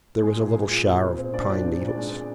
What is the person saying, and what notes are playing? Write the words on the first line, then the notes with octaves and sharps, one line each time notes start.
There was a little shower of pine needles.
G#3 G#4
A#2
G#3
A#2
A#2
C4
A#2 C4 C5
A#2 D4 D5
A#2 D4 D5
C4
A#2
D4 D5
G#3